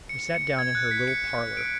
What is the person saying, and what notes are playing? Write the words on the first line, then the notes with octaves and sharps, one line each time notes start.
We sat down in her little parlour.
C#7
C#7
G#6
F#6
B6
C#7
D7